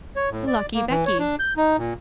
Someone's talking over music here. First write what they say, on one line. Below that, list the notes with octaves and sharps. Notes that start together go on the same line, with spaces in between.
'Lucky Becky!
C#5
A2
D5
A#3
E3
C#5
D4
G6
D#4
A#2